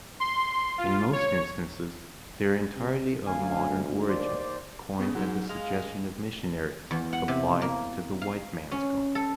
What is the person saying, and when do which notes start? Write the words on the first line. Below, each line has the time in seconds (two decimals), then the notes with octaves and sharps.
In most instances they are entirely of modern origin, coined at the suggestion of missionaries, applied to the white man's God.
0.20 C6
0.78 F4
1.13 C#5
2.76 C3
3.27 D2 F5 G#5
4.09 D#2 C5 D5
5.00 C#3 B3
5.15 G#2 F#3
5.49 G#3 F5
6.91 E2
7.13 F#5
7.28 C3
7.62 A#3
8.22 F5
8.72 C#4
9.15 A4